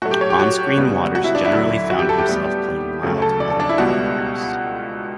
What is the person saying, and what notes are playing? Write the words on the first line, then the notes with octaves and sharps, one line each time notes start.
On screen Waters generally found himself playing mild mannered characters.
A2 F#3 A3 F#4
G4
C#5
G4
F#4
C#2 C#3 G3 B3
F#4
E4
D4
E4
D2 D3 F#3
F#4
G4
A4
G4
A2 G3 B3
D2 C#3 F#3 A3
A4
D5
A4
D4
E4
C#2 B2 G3 B3 F#4